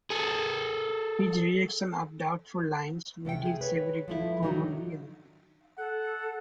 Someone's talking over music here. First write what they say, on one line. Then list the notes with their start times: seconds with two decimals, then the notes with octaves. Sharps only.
His rejection of doubtful lines made his severity proverbial.
0.10 G#4 A4
3.25 C3 A3 C#5 G5
3.45 G#4
3.61 B4 C#5
4.08 F3 A3 E4
4.43 D#3 F#3 D4 D#4
5.78 A4 F#5